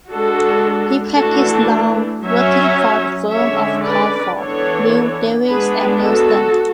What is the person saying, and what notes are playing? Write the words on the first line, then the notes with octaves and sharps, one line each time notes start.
He practised law, working for the firm of Crawford, Mill Davies and Elston.
G#3 D4 F#4 A4
E3 A3 D4 F#4 A4
F#3 C#4 C#5 E5
D3 G#3 C#4 C#5 E5
B4 D5
E3 B3 D4 A4 C#5
G#3 B3 D4 G#4 B4
F#4 A4